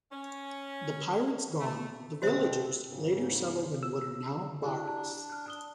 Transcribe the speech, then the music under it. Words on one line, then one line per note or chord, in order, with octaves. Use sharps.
The pirates gone, the villagers later settled in what are now Baras.
C#4
A3
B2 C4 F#4 C5 E5
G#2 C#3
E6
D4 E4 G4
A5 A#5
F6 F#6
A5 D#6 G7